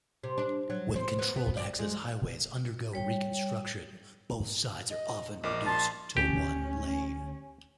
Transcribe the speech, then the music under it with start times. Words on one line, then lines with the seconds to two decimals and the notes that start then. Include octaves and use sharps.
When controlled-access highways undergo reconstruction, both sides are often reduced to one lane.
0.23 C3
0.38 D4
0.70 F#3
0.96 C5
1.19 B3
1.36 B3
1.57 D5
1.79 G#3
2.93 G3 C#5 G5
4.90 D#5
5.43 A#1 A#4 D#5 D6
5.66 A5 C6
6.17 D2 C#4 G4